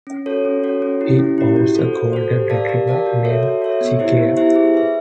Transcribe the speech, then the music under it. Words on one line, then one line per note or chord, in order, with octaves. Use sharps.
He owns a golden retriever named Che Keir.
C#4
F#4 A4 C#5
C#4
F#4 A4 C#5
C#4
E4 G4
C#4
E4 G4
F#4
A4 C5
F#4
A4 C5
G4
A#4 D5 F5 A5
G4
A#4 D5 F5 A5
F#4
A4 C#5 E5
F#4
A4 C#5 E5
B3
E4 G4 C5 E5
B3
E4 G4 C5 E5
G#4
B4 E5